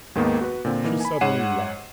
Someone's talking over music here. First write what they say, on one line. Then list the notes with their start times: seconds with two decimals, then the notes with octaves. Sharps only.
She suddenly laughed.
0.15 D#2 G#2 D#3 A#3 B3
0.41 F#4 B4
0.65 A#2 D3 C4
0.84 E3 A#3 D#4
1.00 G#5 B5
1.21 G#2 C#5 F#5 C7 D#7 E7